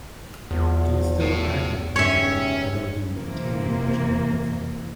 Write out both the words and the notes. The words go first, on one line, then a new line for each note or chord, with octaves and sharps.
He was still active in the movement, although he maintained a much lower profile.
G#1 E2 F3
A2
C#2 D#3 C#4 G4 C#5 E5
C3 E3 A#3